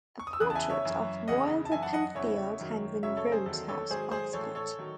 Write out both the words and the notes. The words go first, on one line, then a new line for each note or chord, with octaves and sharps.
A portrait of Wilder Penfield hangs in Rhodes House, Oxford.
C#6
D#6
E6
E2 C#3 E3 D#6 F#6
A5
E5 G#5
C#5 E5
F#2 E3
E2 C#3 E3 D#5 F#5
A5
F#2 E3 E5 G#5
F#5 A5
D#5 F#5
E2 C#3 E3 C#5 E5
F#2 D#3 F#3
F#2 C#3 F#3 C#5 E5
A4 C#5
G#4 C5
E2 D#3 F#3 A4
A4 C#5
G#2 D#3 F#3 G#4 C5
G#4 C5
A2 E3 A4 C#5
A4 C#5
D#3 F#3